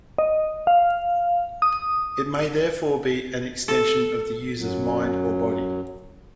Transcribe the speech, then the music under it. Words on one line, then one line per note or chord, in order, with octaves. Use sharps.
It may therefore be an extension of the user's mind or body.
D#5
F5
D#6
A4
F#2 F#3